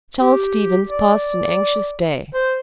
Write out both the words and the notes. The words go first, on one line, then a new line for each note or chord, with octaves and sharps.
Charles Stevens passed an anxious day.
G4
D5
C5